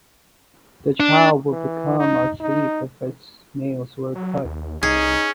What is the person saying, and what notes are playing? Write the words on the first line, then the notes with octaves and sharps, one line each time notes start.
The child would become a thief if its nails were cut.
D4
E3
D#4
D#4
F#3
D#2
C2 C#4 D#4 G#4